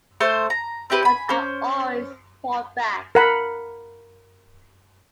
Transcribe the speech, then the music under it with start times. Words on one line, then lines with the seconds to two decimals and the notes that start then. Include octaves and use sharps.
But I always fought back.
0.21 A3 C5 C6
0.50 A#5
0.90 C4 E4 G4 B4
1.03 G#5 B5
1.29 C#4 C5
3.15 A#4 F#5 B5